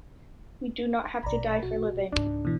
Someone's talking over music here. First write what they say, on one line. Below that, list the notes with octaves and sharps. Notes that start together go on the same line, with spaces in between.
We do not have to die for living.
A#1 B2 D5 A#5 B5
F#4
C#2 G#2 D4
B2 E3